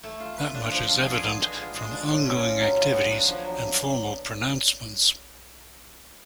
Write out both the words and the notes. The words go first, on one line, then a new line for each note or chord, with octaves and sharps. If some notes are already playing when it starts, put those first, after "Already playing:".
That much is evident from ongoing activities and formal pronouncements.
A3
F4
B4
D4
F3
F4
G#4
B3
G#3
F4
G#3
D4
A2
C#4
F4
F#3
C#3
B3
D4
F3
F#3